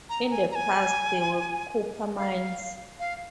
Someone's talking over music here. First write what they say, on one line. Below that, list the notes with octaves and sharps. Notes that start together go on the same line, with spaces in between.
In the past there were copper mines.
A#5
G#5
A#5
G#5
F5
F5